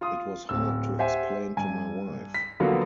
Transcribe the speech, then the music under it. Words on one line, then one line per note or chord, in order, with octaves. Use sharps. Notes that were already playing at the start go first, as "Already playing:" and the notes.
It was hard to explain to my wife.
F4 C6 D#6
D1 E6
G4 C5 E5 F#5 G#5
G2 G#5
B6
D3 F3 F#3 A#3 B3 F#4